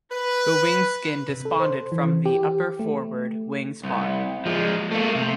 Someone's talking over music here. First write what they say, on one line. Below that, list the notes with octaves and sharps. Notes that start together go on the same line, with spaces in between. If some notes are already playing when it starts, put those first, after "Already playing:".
The wing skin disbonded from the upper forward wing spar.
B4
C3
A4
C5
E3
G4
A3
C2
F3 G#3
A3 A#3
C3